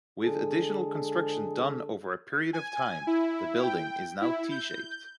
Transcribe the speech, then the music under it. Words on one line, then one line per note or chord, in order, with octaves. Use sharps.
With additional construction done over a period of time, the building is now T-shaped.
D3 G#3 G#4 A4
G#5
E4
G5
E4
G6